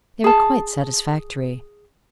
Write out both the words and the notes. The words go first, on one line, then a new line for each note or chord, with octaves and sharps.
They were quite satisfactory.
G#4 A5